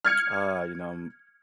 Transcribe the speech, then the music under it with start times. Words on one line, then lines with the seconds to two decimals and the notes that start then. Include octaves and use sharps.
Uh, you know, um
0.05 F6 G#6 C#7